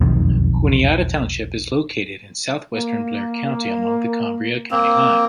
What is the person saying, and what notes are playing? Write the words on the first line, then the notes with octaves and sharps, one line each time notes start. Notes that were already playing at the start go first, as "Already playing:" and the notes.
Juniata Township is located in southwestern Blair County, along the Cambria County line.
E1 B1 F2 D#3
A#3
A#3 C4